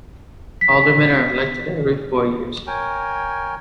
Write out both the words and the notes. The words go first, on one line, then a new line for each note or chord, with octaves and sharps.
Aldermen are elected every four years.
B6
A#4 C#5 G5 G#5